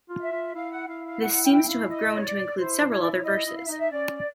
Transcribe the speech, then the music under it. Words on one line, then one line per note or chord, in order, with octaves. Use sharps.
This seems to have grown to include several other verses.
F4
E5
F4
E4 F5
F#5
E4 F5
F5
F#5
G5
F5
D#5
C#5
D5
E4 C5
E4 C#5
D5
C#5
E4 D#5
E4
F5
E5
D#4 D#5
E5
C#4 D5